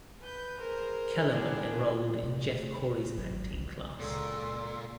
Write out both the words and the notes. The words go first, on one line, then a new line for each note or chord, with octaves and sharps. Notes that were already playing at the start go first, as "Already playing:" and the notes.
Kellerman enrolled in Jeff Corey's acting class.
B4 G6
G#4 A#4 C5
B3 D4 E4 G4 G#4 A#4
C3
A3
G1
G#1 F#3
C2 C#4
C#2 A#2 A4 C6